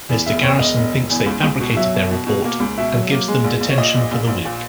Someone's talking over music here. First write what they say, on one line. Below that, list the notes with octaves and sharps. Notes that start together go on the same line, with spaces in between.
Mr. Garrison thinks they fabricated their report and gives them detention for the week.
E2
E1 E5
E1 C#5
E1 D#5
E1
E1
E2
C#2
C#2
B2
F#3 E5
B2
B2
B2
A#3
C#2
B2 E5
F#3
A#3
G#3
A#1
A#1
C#5
A#2 D#5
A#1
A#1
A#1
A#2